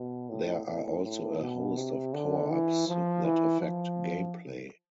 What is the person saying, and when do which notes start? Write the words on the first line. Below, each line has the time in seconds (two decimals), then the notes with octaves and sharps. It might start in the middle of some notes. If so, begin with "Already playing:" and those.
There are also a host of power-ups that affect gameplay.
Already playing: B2
0.29 A2
0.66 A2
1.03 A2
1.40 B2
1.77 C3
2.13 D3
2.51 E3
2.88 F3
3.24 E3
3.61 F3